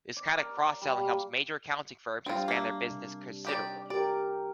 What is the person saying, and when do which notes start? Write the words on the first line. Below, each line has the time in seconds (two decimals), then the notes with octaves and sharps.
This kind of cross-selling helped major accounting firms to expand their businesses considerably.
0.17 D5
0.39 A#4
0.57 D5
0.82 G3
0.99 A#3
2.26 G3 C4 D4 F4
2.48 A#3 E5
2.91 C3
3.45 D#3 G4 D5
3.90 G4 A#4 D5